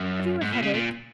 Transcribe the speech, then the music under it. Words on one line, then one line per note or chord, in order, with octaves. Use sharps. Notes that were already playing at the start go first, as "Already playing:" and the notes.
Have you a headache?
Already playing: F#2
G#2
A#2
C#3
A#2